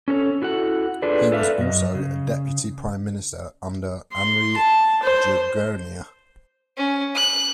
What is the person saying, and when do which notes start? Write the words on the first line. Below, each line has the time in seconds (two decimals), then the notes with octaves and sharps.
He was also deputy prime minister under Anri Jergenia.
0.08 C#4 A4 A#4 C#5
0.42 E4 F#4 A4 F#5
1.02 D4 F4 G#4 A4 B4 D5
1.32 A4 B4 D5 E5 F5
1.58 F#2 D#5
1.95 C#3
4.14 C6
4.58 A5
5.03 C5
6.77 C#4
7.16 F#6